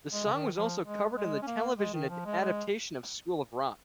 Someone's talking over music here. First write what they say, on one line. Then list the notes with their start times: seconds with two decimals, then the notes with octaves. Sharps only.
The song was also covered in the television adaptation of School of Rock.
0.12 G#3
0.26 C#3
0.33 D#3
0.54 F3
0.85 G#3
1.17 G#3
1.42 C#4
1.47 A#3
1.79 G#3
1.94 D#3
2.09 F3
2.25 G#3
2.41 G#3